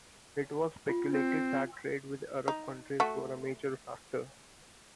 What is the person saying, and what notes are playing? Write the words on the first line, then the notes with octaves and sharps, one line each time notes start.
It was speculated that trade with Arab countries were a major factor.
F4
C4
D#4
A3 F#4